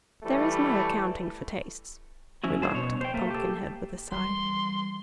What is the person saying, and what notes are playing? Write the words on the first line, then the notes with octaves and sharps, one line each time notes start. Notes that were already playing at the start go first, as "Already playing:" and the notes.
"There is no accounting for tastes," remarked the Pumpkinhead, with a sigh.
E3 G3 A3
F3 C#4 E4 F#4
G3 D4 D#4 C5 C#5 A5
B2 C#5
C5 G5
A3 A#3
G4 A4
E3 G3 C6